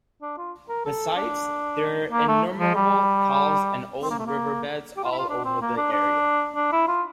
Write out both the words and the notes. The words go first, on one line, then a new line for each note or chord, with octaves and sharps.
Besides, there are innumerable Khals and old riverbeds all over the area.
D4
F4
A#4
A4
D4
A#3
A3
F3
G3
C4
A#3
A3
A#3
G4
F4
E4
F4
D4
C4
A#3
D4
D4
D4
E4
F4